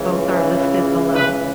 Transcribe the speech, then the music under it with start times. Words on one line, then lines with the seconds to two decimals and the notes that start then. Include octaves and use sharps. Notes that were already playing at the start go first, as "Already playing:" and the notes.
Both are listed below.
Already playing: C#2 C#3 E3
1.15 B4